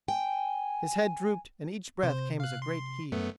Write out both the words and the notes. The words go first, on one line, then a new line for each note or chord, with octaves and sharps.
His head drooped and each breath came as a great heave.
G5 G#5
C3 C5
F5 F#6
C6
F#2 A3 B3